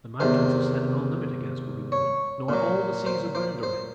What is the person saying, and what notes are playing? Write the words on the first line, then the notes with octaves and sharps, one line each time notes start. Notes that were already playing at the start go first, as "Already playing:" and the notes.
The Mountains have set no limit against Roon nor all the seas a boundary.
E2 C3 D#3 C5
C#5
A#2 F#3
C5
C5
C5